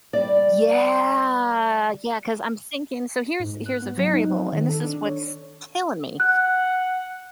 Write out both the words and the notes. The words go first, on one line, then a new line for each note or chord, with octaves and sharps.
Yeah. Yeah, 'cause I'm just thinking so here's here's a variable, and this is what's killing me,
G3 D5
G#2
F#6
B3
F#3
D#4
C4
D#3
A4
D4
C#5
F#5 F#6